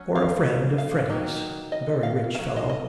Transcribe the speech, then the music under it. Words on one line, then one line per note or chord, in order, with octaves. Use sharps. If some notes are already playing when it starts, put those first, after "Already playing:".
'For a friend of Freddy's--a very rich fellow.
Already playing: F#3 C#4
F5
F5
D#3 F#3 A#3 D#4
D#5
F5
F#3 C#4 F5
D#5
D#5